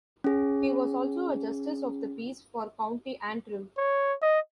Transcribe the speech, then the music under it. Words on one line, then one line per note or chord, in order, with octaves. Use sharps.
He was also a Justice of the Peace for County Antrim.
C#4 G#4
C#5
D#5